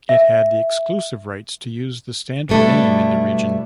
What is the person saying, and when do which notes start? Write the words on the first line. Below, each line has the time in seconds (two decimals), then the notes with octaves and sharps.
It had the exclusive rights to use the Standard name in the region.
0.09 E5
2.49 B2 G3 A3 D4 E4